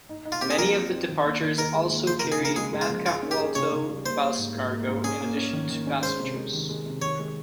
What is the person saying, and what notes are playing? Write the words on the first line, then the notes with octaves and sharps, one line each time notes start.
Many of the departures also carry Matkahuolto bus cargo in addition to passengers.
D#4
D#4
F4
C4 G4
G#4
F3 A#4
C4
C4
D#3
D#2
D#3
D#4 A#4
G#3
D#2
F3 C5
A#4
C#3
G#4
C#3 A#4
G#3 G#4
G#3
F4
F3
F4 G#4
C#4
G4
G#4
C#3 C#5
C#3
G3
A#3 C5
A#3
G#2
G#2
A#3
G#2
C#4 G#4
A#3
C#4
D#3
D#3
C#4
G#3 C5
C3
G#3
D#3
G#3
C3
D#3 C#5
G#3